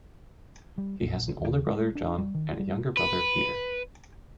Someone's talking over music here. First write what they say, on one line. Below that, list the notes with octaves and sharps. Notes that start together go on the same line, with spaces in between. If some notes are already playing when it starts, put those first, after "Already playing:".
He has an older brother, John, and a younger brother, Peter.
G3
A#1
D#2
G#3
D4
G3
D#3
G3
B4